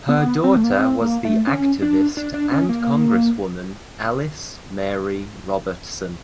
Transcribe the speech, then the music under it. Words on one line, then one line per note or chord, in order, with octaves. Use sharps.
Her daughter was the activist and Congresswoman Alice Mary Robertson.
B3
C4
A3
A#3
B3
C4
A#3
A3
C#4
D4
D4
D4
C#4
A#3